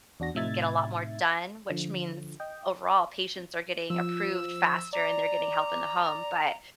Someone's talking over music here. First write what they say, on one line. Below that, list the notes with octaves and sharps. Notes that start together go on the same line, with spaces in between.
and get a lot more done, which means, overall, patients are getting approved faster and they're getting help in the home, but
E2 D4 F#4 A#6
A2 C3 D#4 E5 G#6 A6
D3 F3
D#5 G5
F3 E6
D5 A#5